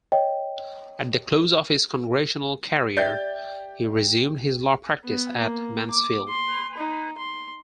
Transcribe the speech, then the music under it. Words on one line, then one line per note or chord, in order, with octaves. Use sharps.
At the close of his Congressional career, he resumed his law practice at Mansfield.
C#5 D#5 G5
G4 D5 E5 G6 A6
B3
A#3
D6
C6
D#4
C6